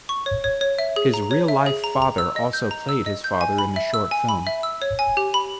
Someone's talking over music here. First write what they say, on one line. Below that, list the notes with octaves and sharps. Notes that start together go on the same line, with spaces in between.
His real-life father also played his father in the short film.
C#6
C#5
C#5
C#5
E5
G#4
A#5
C#5
E5
G#4
A#5
A#5
E6
D#5
G6
A#5
E6
D#5
G6
G#5
B5
E5
E6
G#5
B5
E5
E6
C#5
G#5
G4
B5